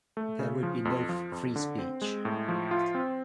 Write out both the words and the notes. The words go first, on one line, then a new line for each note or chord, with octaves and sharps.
There would be no free speech.
A3
C#3
F3
F2
F3
F2
D3
C4
G#3
A2
F3
F4
C4